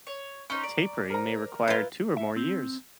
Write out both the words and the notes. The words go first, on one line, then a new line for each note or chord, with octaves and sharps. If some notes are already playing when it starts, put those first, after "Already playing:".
Tapering may require two or more years.
C#5
C#4 D#4 C5 C#6
D5 A#5
A#4 C5 A#5
E4 F4 B4
E5
C4